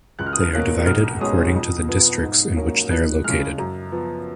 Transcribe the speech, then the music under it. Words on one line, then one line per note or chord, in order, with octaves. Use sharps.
They are divided according to the districts in which they are located.
C#2 F#6
F6
D#6
F6
B2 A#3 C#4 F#6
B1 F6
B2 G#3 C#4 D#6
F2
F3 B3
G#2
F#3 A#3 C#4
F2 F#6
C#3 G#3 F6
F#2
F3 B3